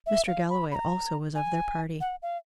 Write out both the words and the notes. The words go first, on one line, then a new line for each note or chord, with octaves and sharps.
Mr. Galloway also was of their party.
E5
F5
B5
B5
A#5
G#5
F#5
F5